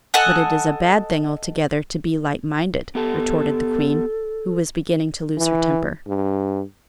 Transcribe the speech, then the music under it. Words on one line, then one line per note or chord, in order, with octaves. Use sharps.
"But it is a bad thing altogether to be light-minded," retorted the queen, who was beginning to lose her temper.
A4 D#5 F#5 G#5
B3 G4 A4 A5
E3
G2